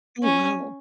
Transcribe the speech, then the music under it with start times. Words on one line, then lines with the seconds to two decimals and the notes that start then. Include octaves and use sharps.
Oh, wow.
0.23 C#4